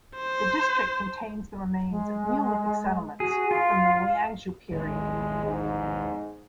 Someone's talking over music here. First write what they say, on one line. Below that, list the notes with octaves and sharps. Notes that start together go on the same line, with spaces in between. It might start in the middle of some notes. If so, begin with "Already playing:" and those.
The district contains the remains of Neolithic settlements from the Liangzhu period.
C5
G#3
F#4 G#4
F4 F5
A1 D#2 E3 G#3
G#2